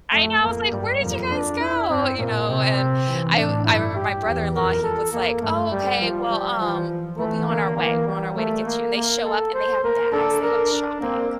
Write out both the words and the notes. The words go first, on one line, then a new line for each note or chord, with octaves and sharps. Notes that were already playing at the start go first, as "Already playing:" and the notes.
I know! I was like, "Where did you guys go?" You know? And I I remember my brother-in-law, he was like, "Oh, okay. Well, um, we'll be on our way. We're on our way to get you." And they show up, and they have bags. They went shopping.
F2 A3
F2 A#3
G2 G3
F2 A#3
D4
E4
G2 C4
A#2 A#3
C3 C4
C3
E3
A2 D4
G2 E4
G4
E2
F2 A#4
A4
A#3
G2 A3
G3
F3
G3
E3 F3
F3
E3 A3
D3 A#3
E3 A#3
G3
A3 A#3
A#3
A#3
A4
C5
A#3 A#4
D4 A4
D4 A#4
D4
A#3 C4